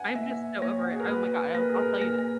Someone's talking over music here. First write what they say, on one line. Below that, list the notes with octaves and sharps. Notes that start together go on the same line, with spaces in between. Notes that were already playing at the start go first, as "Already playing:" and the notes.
I'm just so over it, oh my god, I'll I'll tell you this.
Already playing: F#5 G#5
A#3 E5
A#3 C#5
F#4
G#4
A#4
A#3 B4
A#3 B4
A#4
G#4
A#4
A#3 A#4